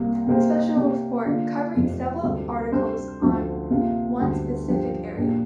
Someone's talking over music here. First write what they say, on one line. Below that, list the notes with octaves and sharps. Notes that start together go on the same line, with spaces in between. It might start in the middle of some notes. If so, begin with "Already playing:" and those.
Special Report: Covering several articles on one specific area.
Already playing: C2 C3 A#3
C3 A#3 G4 C5
C3 A#3 G4
D3 A#3 D4 F4 D5
F1 F2 C3 F3
D2 C3 G3
C3 G3 D4 G4 C5
D2 D3 F3 C4
C3 A#3 F4
D2 D3 G3
G2 F3 D4 G4 C5
A#2 A#3 D4 G4